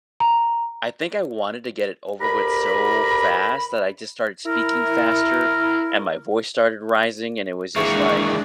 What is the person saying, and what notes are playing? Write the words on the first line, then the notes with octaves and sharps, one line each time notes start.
I think I wanted to get it over with so fast that I just started speaking faster, and my voice started rising, and it was just like,
A#5
D2 G4 A#4 A#5 B5
E4 A#4
D#3 E3 G#3 A#3 D4 G#4 E5 C#6